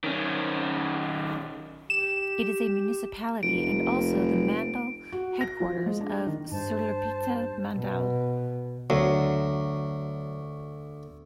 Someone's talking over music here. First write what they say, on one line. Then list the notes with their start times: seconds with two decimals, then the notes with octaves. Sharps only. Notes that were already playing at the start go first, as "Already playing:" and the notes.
It is a municipality and also the mandal headquarters of Sullurpeta mandal.
0.04 D#3 C#4
1.90 G4 E7
3.43 F1 D7
5.12 F#4
5.41 A#6
5.60 F3
5.86 G#3
6.01 D4
6.27 D#3
6.51 G2 C5 A5
7.77 B2
8.90 D2 F#3